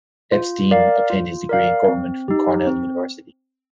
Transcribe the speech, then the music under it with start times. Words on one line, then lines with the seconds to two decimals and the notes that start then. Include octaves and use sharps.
Epstein obtained his degree in Government from Cornell University.
0.32 F4
0.71 A#4 D5 F5
1.10 F4
1.49 A#4 D5 F5
1.88 C4
2.28 D#4 G4
2.67 C4